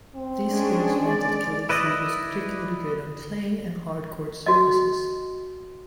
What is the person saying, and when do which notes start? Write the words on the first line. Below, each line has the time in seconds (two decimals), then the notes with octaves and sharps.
These skills meant that Kelesi was particularly good on clay and hard-court surfaces.
0.15 C4
0.50 G#3 C#4 D4 G#4
1.08 D5
1.69 E4 B4 D5 D#5
4.46 F#4 D#5